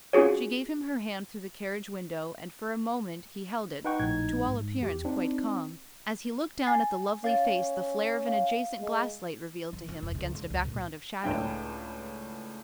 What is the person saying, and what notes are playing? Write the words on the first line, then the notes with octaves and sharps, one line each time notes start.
She gave him her hand through the carriage-window, and, for a moment, he held it, to all appearance quite calm, as he looked down at the lovely face the flare of an adjacent gaslight revealed to him against a background of shadow.
C#4 F4 F#4 G#4 C#5
D#4 B4 F#5 G5 C#6
A#1 A2 D#4 G#6
G#2
E2 G4
C4 D4 D#4
G#5 A6 C7
C#4 F5 A6
F5
G#3
F3
F4
E1
C#2
E2
C#2
A#2
C#2 A2 D4 G5